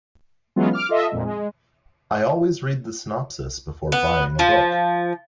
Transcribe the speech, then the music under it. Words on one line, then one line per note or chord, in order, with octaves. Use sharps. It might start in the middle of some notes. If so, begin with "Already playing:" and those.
I always read the synopsis before buying a book.
E3 F#3 G#3 B3 C#4 F4
D6 F6
F4 A4 D#5 E5
G#1 F2 A#2
G#3
B3
F3